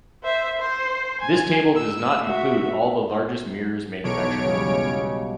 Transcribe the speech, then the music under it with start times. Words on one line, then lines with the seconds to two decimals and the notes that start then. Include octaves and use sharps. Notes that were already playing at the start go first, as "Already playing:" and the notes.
This table does not include all the largest mirrors manufactured.
0.24 C5 E5
0.58 C5 C6
1.21 G#5
1.76 E6
2.26 F#4 E5
4.04 B1 E2 C#5 D7
4.45 C#3 G3 G#3